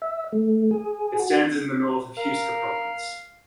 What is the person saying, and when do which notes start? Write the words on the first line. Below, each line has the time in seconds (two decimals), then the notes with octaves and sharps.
It stands in the north of Huesca province.
0.02 E5
0.32 A3
0.71 G#4
1.20 F#4
2.17 A#4 F5